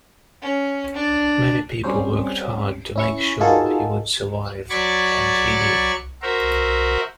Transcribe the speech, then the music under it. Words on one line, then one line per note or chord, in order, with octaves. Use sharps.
Many people worked hard to make sure he would survive and he did.
C#4
D4
G3 C4 C#4 C5
C#4 E4 C#6
A#3 D#4 F4 F#4 G#4 A4
F#3 D5 B5 C#6 G#6 A6
F#4 A#4 C5 E5